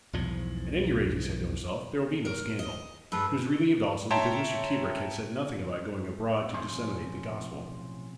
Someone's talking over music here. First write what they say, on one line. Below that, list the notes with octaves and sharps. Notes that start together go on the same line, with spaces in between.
"At any rate," he said to himself, "there will be no scandal." He was relieved also because Mr. Tebrick had said nothing about going abroad to disseminate the Gospel.
B1 E2 G#2 F3
A#4
D#5
G2 G#3 A4 B4
C#5 E5 G5 A5 A#5 C6
B1 A2 C3 F3 C#4 C5